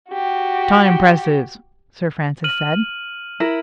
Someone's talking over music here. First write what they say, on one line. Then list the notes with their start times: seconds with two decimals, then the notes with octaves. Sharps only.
"Time presses," Sir Francis said.
0.10 F#4 G4
2.44 F6 D#7 F#7
3.40 E4 A#4